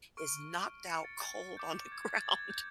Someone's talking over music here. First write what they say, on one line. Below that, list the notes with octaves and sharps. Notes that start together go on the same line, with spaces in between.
is knocked out cold on the ground.
C#6 F6 D7
C#7
A6
A6
D6 G6
G#6
G#6
A6
G#6
G#6
G6